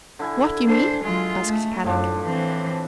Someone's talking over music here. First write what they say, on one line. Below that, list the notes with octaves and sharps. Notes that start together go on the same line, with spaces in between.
"What you mean?" asked Kadok.
D3 E4 G#5
D4 C5
F#3 G#3 F4
A3
F#2 A2 F3 D4
E3 C4